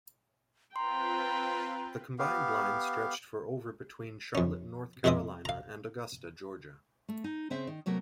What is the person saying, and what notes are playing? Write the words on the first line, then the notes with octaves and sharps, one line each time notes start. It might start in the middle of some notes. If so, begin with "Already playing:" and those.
The combined line stretched for over between Charlotte, North Carolina, and Augusta, Georgia.
C4 F4 B4 G5 A#5 C6
B3 G4 F5
F2 C#4
F2 C3 G#3 C4 E5 D#6
F5 A#5
A3
D#4
C#3 C4 C5 E5
D#3
C3 F#3 A3 B3 A#4